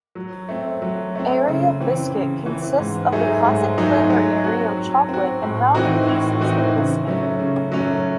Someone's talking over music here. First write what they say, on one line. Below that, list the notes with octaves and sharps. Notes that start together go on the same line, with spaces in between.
Aero Biscuit consists of the classic flavour Aero chocolate and round pieces of biscuit.
F#3
A3 C4
F#3
A3 C4
C#3
E3 C4
C#3
E3 C4
G#2
F#3 A3 D#4 G#4
G#2
F#3 A3 D#4 G#4
F#3
C4 F#4
F#3
C4 F#4
A2
E3 C4 D#4 F#4
A2
E3 C4 D#4 F#4
C#3
F#3 A3 C#4
C#3
F#3 A3 C#4